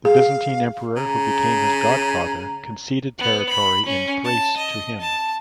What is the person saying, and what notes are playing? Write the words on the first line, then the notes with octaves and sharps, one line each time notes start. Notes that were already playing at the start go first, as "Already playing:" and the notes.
The Byzantine Emperor who became his godfather conceded territory in Thrace to him.
G#4 F5
C#3 A#5
B3
B5
C#4
A5
D#5
A5